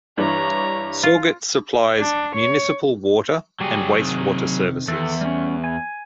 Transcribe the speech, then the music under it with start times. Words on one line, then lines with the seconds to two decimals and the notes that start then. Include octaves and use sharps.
Sauget supplies municipal water and wastewater services.
0.17 G2 E3 D4 C#5 A#5
1.03 F4
1.98 D4
2.35 C#5
3.61 F#3 G3 G#4
3.99 C3 D#3
4.88 E2 D#3 A4
5.21 G3 C#4
5.64 G#5